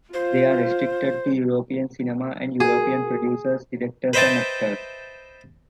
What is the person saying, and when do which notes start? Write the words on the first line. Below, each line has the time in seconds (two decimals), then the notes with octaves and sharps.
They are restricted to European cinema and European producers, directors, and actors.
0.14 F4 C5
2.60 F#4 G#4 A#4
4.13 B4 C5 D#5 E5 G5 A5